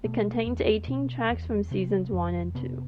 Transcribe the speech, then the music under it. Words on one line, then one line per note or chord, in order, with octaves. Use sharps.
It contains eighteen tracks from seasons one and two.
B2 A3
E2
B2
E2
C3 C4
F2
C3 B3